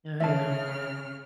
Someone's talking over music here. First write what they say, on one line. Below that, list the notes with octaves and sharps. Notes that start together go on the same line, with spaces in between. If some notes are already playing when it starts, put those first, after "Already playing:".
Oh, yeah.
C#3 E5 A5 F6